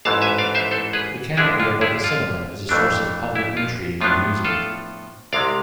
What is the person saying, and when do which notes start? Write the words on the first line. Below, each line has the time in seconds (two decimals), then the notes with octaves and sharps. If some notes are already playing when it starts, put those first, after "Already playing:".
The canopy above the cinema is a source of public intrigue and amusement.
0.05 A1 G#2 E3 F5 A5
0.22 E5 G#5
0.38 D5 F5
0.55 C5 E5
0.71 A4 C5
0.93 G#4 B4
1.37 F2 D3 G#3 D4 E4 G#4
1.60 F4
1.81 E4 G#4
2.04 F4
2.69 F2 E3 A3 D4
3.35 E4
3.57 F4
4.01 A2 F3 B3 D4 F4
4.45 F4 A4
5.33 C2 C3 G#3 D5 F5